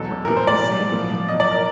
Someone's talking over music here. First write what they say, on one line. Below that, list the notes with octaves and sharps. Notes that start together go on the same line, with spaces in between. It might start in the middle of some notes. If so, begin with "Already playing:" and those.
What did you say to him?
Already playing: E2 B2 F#3 A4
A2 E3 G3 A#4
C5
D5
B2 F#3
A2 F3
B2 F#3 D#5
D5
A#4